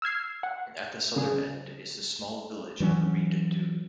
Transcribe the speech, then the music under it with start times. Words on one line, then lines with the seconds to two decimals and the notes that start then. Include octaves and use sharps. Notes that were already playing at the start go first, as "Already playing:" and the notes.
At the southern end is the small village of Rhyd Ddu.
0.02 E6 F6 G#6 C7
0.43 F#5
1.16 C#3 G#4
2.80 E3 F#3 C4 C#4